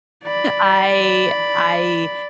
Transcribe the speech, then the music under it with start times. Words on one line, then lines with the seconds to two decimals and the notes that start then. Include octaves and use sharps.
I, I
0.24 D5 B5